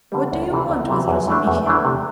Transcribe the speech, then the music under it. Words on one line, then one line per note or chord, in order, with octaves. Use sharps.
What do you want with Razumihin?
D3 G3
D2
C3 E3 C4
D2
C3 E3 C4
E2
E3 A3 D4
E2
E3 A3 D4
C3